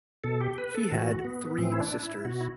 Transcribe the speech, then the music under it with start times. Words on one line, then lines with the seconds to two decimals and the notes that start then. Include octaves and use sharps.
He had three sisters.
0.24 B2 A4
0.41 G4
0.58 B4
0.75 A4
0.92 A2 E3 F#4
1.24 B3
1.58 A2 E3 C4
1.72 E4
1.80 D4
2.03 E4
2.25 B2 F#4
2.41 E4